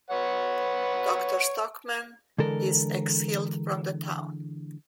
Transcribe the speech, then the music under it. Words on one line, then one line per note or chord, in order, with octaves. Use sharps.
Doctor Stockmann is exiled from the town.
B4 C#5 F#5
D3 E3 G#3 A4 A#4